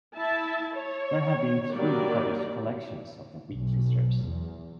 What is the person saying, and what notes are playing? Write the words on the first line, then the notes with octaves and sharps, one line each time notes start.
There have been three published collections of the weekly strips.
E4 E5 A5
C#5
D#3 F#3 G3 A#3 D5
B1
E2